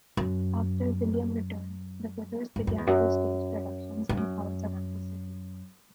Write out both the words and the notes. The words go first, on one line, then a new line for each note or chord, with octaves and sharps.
After William returned, the brothers began to stage productions in halls around the city.
F#2
G2
F#2
E2
F#2
G2
F#2